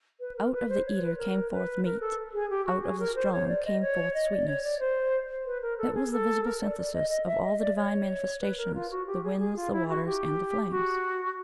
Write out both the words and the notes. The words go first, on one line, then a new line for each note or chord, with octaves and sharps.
"Out of the eater came forth meat, out of the strong came forth sweetness." It was the visible synthesis of all the divine manifestations, the winds, the waters, and the flames.
B4
A#4
B4
C5
C#5
B4
A#4
B4
A#4
A4
G#4
G4
F#4
G#4
A#4
C5
C#5
D5
D#5
C#5
D#5
D5
C#5
D5
C5
B4
A#4
A4
G#4
A4
A#4
D5
D5
D#5
D#5
E5
D#5
D5
C#5
B4
A#4
F4
F#4
G4
G#4
G#4
F4
E4
F#4
G4
F#4